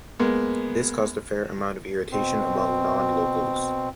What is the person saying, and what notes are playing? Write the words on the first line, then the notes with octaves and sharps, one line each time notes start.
This caused a fair amount of irritation among non-locals.
G#3 A#3 B3
B2 C4